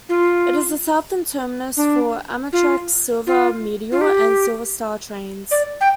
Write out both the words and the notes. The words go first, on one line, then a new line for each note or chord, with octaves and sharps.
It is the southern terminus for Amtrak's "Silver Meteor" and "Silver Star" trains.
F4
D4
F4
F4
F4
G4
D5
G5